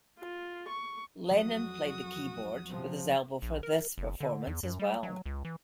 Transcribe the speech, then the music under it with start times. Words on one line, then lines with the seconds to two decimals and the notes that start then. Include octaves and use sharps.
Lennon played the keyboard with his elbow for this performance as well.
0.19 F4
0.69 C#6
1.31 F2 G#2 F#3 F#4 D#6
2.69 C3 F3
3.42 A#1
3.63 A#4
3.98 F#1
4.20 D3
4.47 E2
4.63 F#2
4.79 G3
5.03 F#3
5.26 C#2
5.45 E3